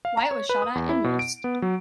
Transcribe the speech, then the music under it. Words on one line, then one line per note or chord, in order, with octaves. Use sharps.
Wyatt was shot at and missed.
F5
A#5
C#5
B4
D#6
E2
E4
B2
D7
B3
F#3